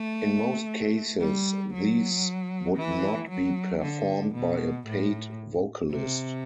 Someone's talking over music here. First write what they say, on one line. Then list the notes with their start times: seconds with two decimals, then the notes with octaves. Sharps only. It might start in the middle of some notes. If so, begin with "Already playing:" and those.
In most cases these would not be performed by a paid vocalist.
Already playing: A3
1.20 G3
1.73 F#3
2.77 E3
3.30 F#3
3.82 D3
4.35 B2
4.87 A2
5.92 C3